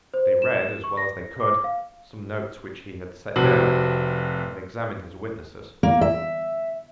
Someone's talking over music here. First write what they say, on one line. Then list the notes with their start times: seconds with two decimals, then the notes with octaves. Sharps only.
They read as well as they could some notes which he had set down, and examined his witnesses.
0.14 C5
0.42 E7
0.84 C#6
0.97 A#6
1.40 D6
1.64 F5
3.36 F1 C3 F#4 F#7
5.83 A#3
6.01 E5